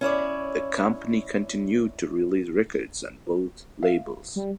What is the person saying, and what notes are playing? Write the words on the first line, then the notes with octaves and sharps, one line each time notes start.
The company continued to release records on both labels.
C#4 E4 C#5 D5
E5 F5
G3